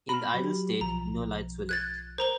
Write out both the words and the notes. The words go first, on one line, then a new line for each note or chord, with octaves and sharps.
In the idle state, no lights were lit.
A#5 B5 F6
F#3 G4
B1 F3 A#5
F#6 G#6 A6
A#4 C5 A#5 G7